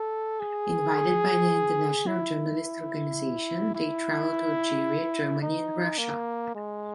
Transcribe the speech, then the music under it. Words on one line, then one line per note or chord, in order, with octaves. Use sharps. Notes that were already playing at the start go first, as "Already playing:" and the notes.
Invited by the International Journalists Organization, they travelled to Algeria, Germany and Russia.
Already playing: A4
G#4
E4
E4
D#4
A#3
G#3